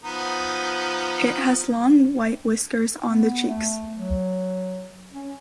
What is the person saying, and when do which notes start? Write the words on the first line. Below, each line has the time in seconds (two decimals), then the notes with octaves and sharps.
It has long white whiskers on the cheeks.
0.04 F3 B3 D#4
3.05 B3
3.48 A3
3.95 F#3
5.12 C#4